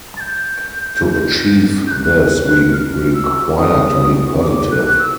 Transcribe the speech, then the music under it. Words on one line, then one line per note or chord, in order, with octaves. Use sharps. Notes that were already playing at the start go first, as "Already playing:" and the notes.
To achieve this, we require to be positive.
A6
G6
G6
F#6
F#6
F6
E6
D#6
D6
F#6
E6